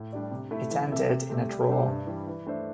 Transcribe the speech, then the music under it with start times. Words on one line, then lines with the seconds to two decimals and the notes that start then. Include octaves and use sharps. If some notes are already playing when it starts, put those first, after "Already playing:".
It ended in a draw.
Already playing: A2
0.13 G3 D4 G4 D5
0.32 C3
0.51 A3 E4 A4 E5
0.71 E3
0.90 C4 A4 E5
1.10 C3
1.30 A3 C4 G4 E5
1.49 G3
1.68 D4 G4 C5 E5
1.88 G2
2.07 E3 G3
2.27 E3
2.46 A3 D4 C5 E5